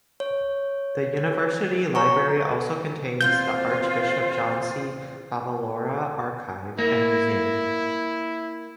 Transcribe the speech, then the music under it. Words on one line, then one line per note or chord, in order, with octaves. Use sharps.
The University Library also contains the Archbishop John C. Favalora Archive and Museum.
C#5
C#5 A#5 C#6
E2 A#2 C4 F4 C5 F5 G6
A#3 E4